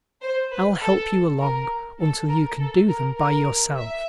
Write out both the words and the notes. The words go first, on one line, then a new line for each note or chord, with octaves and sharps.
I'll help you along until you can do them by yourself.
C5
B4
A4
A#4
A4
A#4
A4
A#4
A#4
E5